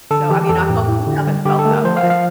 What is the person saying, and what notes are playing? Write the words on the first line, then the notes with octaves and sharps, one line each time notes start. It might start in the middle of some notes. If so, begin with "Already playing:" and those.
So, I mean, I hope you haven't felt that way.
D3 A4
E3 G4
G4
F2 A4
G4
A2
E4
D3
G3
D3 G4
A4
A3
A#4
F3 C5
F5
F3
F5